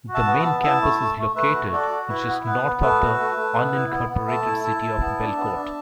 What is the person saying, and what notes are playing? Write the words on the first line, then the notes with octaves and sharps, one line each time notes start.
The main campus is located just north of the unincorporated city of Belcourt.
F#4
E5 A5
B3
E5 A5
B3
E4 E5 A5
A3
A3
A3
A3 B4 E5
F#4
F#4 A4 D5
F#4
E4 B4
B3
B3 B4
B3
A3 B4 E5
F#4
A3
A3
B3
E4
B3
B3
A3 E5 A5
E4
E4 E5 A5
E4
B3
D4
B3
D4